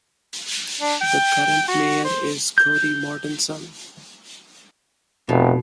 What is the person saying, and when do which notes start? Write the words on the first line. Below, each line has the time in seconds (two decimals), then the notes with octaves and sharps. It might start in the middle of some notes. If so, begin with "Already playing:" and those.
The current mayor is Cody Mortensen.
0.81 D4
1.01 G5
1.68 F#4
2.04 C5
2.58 G6
5.29 F1 B2